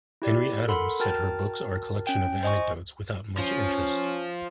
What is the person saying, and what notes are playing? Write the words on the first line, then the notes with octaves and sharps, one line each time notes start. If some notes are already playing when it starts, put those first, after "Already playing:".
Henry Adams said her books are a collection of anecdotes without much interest.
E4 G4 D5
A4 A#4 F#5 B5 C6
F#4 A#4 G5 A5 F6 A6
C#4 G5
C5 D#5 G#5 C#6
F3 C#4